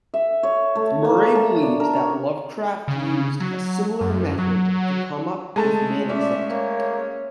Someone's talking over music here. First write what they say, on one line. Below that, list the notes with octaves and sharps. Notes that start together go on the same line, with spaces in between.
Murray believes that Lovecraft used a similar method to come up with "Manuxet".
E5
C#5
A3
A#3
A5
D4
A#4
C#5
C#3
F#3
F#2
F#3
G#3 A3 G#4 A4 A5
C#4 D5 E5
A#3 C#5